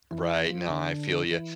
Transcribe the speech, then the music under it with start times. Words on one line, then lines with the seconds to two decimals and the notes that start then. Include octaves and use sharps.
Right, no I feel you.
0.11 E3
0.50 F3
0.70 D3
1.31 E3